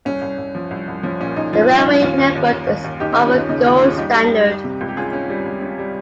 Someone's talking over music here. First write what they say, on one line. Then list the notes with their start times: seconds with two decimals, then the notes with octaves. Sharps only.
The railway network is of a gold standard.
0.05 C2 C#4
0.21 C2
0.38 C2
0.55 F3
0.71 C2
0.88 C2
1.03 F3 C#4
1.20 A#2 C#4
1.36 A#2 D#4
1.53 F3 C#4 F4
1.69 C2
1.78 D#4
1.86 C2
2.02 D#2 C#4 F4
2.18 D#2
2.35 D#2
2.52 D#2
2.67 D#2
2.84 D#2
3.00 D#2 D#4 G4
3.12 D#2 D#4 G4
3.25 C#4 F4
3.34 D#2 D#4
3.49 C#3 D#4
3.65 D#2 C#4 F4
3.82 C#3 C#4 F4
3.98 G3 D#4 G4
4.14 G3
4.31 G3
4.47 G3
4.64 C3
4.81 C#2
4.89 G4
4.97 C#4 F4 G#4
5.13 C#4
5.30 G3
5.46 C#2
5.62 C#4
5.79 G3